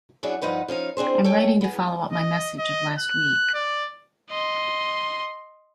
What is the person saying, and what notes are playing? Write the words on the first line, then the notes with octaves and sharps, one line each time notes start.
I'm writing to follow up my message of last week.
F#2 F#3 D4 E4 F#4 G#4
G2 F3 D#4 B4 F#5
F3 C#4 D#4 F5
C4 D4 G#4 C5
A4 C#5 G5 G#5
B3 G#4
D#5
D#5
F#6
D5
D#5 C6